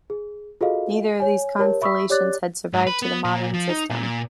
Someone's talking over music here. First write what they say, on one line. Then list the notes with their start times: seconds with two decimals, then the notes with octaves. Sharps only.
Neither of these constellations has survived to the modern system.
0.10 G#4
0.61 F4 F#4 G#4 A4 D#5 F5
1.20 C#5 G#5
1.58 G4 A#4 C#5 A5
1.81 E5 B5 C#6 D#6 E6 B6
2.10 G4 C#5 D5 D6 F#6 A6
2.73 G#2
2.87 B4
3.02 B3
3.24 A#2
3.54 F3
3.69 D#4
3.90 A#2
4.03 A#2